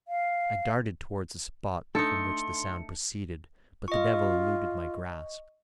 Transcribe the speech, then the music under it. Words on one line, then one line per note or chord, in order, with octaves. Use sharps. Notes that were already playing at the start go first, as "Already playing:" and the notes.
I darted towards the spot from which the sound proceeded, but the devil eluded my grasp.
F5
A3 D4 D#4 A4 C6 E6 C#7
F4 D#5 C#6